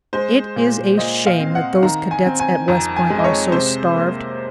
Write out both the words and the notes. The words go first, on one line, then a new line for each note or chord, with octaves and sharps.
It is a shame that those cadets at West Point are so starved.
G#3 C5
A#2
A#2 D#5
F5
C4
F#5
D#3 A#5
G#5
C4
G#5
F2 A#5
G#5
G#3
D#5
C#5
C3 C5
A#3